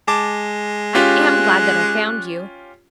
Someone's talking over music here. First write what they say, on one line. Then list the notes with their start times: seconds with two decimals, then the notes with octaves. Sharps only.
I am glad that I found you.
0.08 G#3 A5 D6
0.95 C#4 F4 G4 F#6